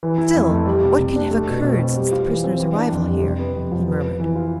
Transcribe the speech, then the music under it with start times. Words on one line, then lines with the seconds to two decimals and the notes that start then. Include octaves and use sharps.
"Still, what can have occurred since the prisoner's arrival here?" he murmured.
0.03 E3
0.18 E4
0.35 F2
0.51 A3
0.66 G3
0.82 C3
0.98 C3
1.15 D4
1.31 A3
1.47 B2
1.63 B2
1.79 C4
1.96 G3
2.12 F4
2.27 E3
2.44 C4
2.59 E3
2.75 D4
2.91 F2
3.08 G3
3.24 C3
3.39 B3
3.56 F2
3.72 F3
3.88 B3
4.05 B4
4.20 E3
4.36 F4